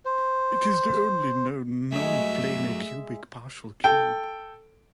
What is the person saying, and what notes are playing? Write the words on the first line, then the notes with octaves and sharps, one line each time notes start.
It is the only known nonplanar cubic partial cube.
C5
G2 F#3 G#3 A3 G#4 E5
A4 G5